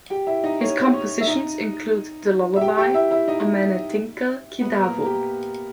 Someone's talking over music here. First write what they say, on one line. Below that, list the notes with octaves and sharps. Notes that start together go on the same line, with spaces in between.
His compositions include the lullaby "Omanathinkal Kidavo".
G4 G5
E4 E5
D#4 D#5
C#4 C#5
C#4 C#5
E5
D#4 D#5
E5
G4 G5
G4 G5
E4 E5
E4 E5
D#4 D#5
B3 B4
A#3 A#4
G4